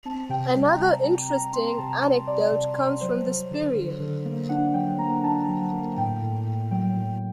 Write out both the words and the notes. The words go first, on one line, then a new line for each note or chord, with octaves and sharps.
Another interesting anecdote comes from this period.
C4 A5
C3 G5
G3 G5
A#5
G3 A5
G3 A#5
C3 A#5
C4 C6
A#5
C3 A5
A#5
C3
C3 D5
C3
C3
F#3 C5
F#3
D3
D3
D3
A#3
D4 F#5
F#3 G5
A#3 A#5
D4 A5
F#3
A#3
A2 G5
A2
A2
F#3 G5
A2